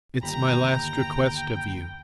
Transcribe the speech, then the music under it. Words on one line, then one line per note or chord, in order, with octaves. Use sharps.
It's my last request of you.
G1 D#2 G5 A#5 B5